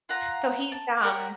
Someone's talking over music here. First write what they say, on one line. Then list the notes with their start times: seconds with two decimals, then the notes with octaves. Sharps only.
so, he's, um
0.09 F4 F#5 A#5
0.72 A5
1.00 A#4 C#5 F#5 G5